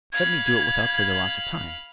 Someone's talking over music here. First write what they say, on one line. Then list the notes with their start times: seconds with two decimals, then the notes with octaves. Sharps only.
Let me do it without further loss of time.
0.13 F5 B5 G#6